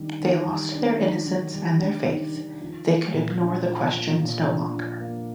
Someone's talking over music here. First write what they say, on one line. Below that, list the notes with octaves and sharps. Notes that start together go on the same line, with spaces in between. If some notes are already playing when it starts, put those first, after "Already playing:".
They lost their innocence and their faith, they could ignore the questions no longer.
Already playing: D#3 G3 D4
D#3
G3
D4
D#3
D#3
G3
D4
D#3
D#3
F3
A#3
A#2
D4
F3
A#3
A#2
D4
F3
A#3